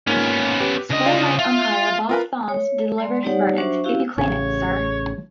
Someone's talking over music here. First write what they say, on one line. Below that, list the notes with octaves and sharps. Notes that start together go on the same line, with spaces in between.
Square-leg umpire Bob Thoms delivered his verdict: If you claim it, Sir!
G#2 A#3 B3 C#4 F4
G4 B4
C#3 D4 D#5
F4 D5 F5
F4 E5
F4 A#4 B4
C#5
G#3 D5 C6
G3 D#4 G4 C#5 D5 F#5
F#3 D4 F#4 C5 E5 C#6
C#4 E4 F#4 G4 F5
A1 C#3 C#5